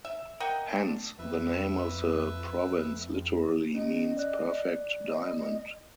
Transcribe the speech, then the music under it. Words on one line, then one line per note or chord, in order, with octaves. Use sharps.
Hence the name of the province literally means "perfect diamond".
E5
A#4 D#5 F#5 G5
D4
F2 B4 E5
C#4 D#5
D5 F#6
D#5